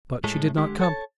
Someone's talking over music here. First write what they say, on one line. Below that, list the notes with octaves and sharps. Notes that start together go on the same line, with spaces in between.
But she did not come.
A2 G#3 A3 A4
D3 G#3 G4
A4 C#5 A5